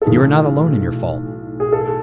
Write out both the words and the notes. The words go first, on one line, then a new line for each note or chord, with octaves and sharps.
And you are not alone in your fault.
A4
B1 A2 E3 G#4
G#4
A4